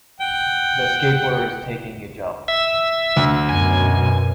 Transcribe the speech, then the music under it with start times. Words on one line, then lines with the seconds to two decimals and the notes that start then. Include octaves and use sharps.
The skateboarder is taking a jump.
0.20 F#5 G5
2.48 E5 E6
3.16 D2
3.49 F#2 B2 G#5